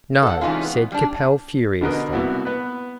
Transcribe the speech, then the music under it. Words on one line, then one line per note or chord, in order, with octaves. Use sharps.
"No," said Capel, furiously.
A4 F#5
C3 E3 G#3 C#4 D#4 F4
B3
G3 D4
B2 D3 A#4 B4 D#5
C2 B3 E4 F#4
B3 B4